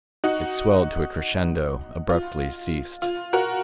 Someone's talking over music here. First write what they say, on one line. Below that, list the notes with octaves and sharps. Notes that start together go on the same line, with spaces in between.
It swelled to a crescendo; abruptly ceased.
D#4 F#4
F4
F4
F#4 A#4